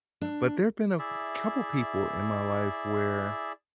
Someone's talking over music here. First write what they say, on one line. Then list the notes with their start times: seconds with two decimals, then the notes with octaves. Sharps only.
but there have been a f couple people in my life where
0.21 D4
0.99 E4 G#4 D5 E5